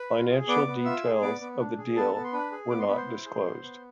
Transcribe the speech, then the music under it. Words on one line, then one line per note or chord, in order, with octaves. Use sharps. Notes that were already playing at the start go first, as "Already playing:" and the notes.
Financial details of the deal were not disclosed.
Already playing: B4 B5
F4
G#4
B3 D5 D6
B3
F4 E5 E6
G#4
B3 D5 D6
B3
D4
G#4
B3 A4 A5
B3
C6
D4 B4 B5
G#4
B3 D6
C6
B3 B5
C5 C6
E4
G#4
B3
B3